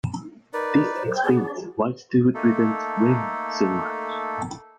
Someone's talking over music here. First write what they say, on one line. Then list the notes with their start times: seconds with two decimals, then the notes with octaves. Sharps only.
This explains why Stewart resents Remy so much.
0.53 D#4 A#4 B4 D5
0.95 C5
1.24 B3 G#4
2.35 A3 A#3 D#4 A4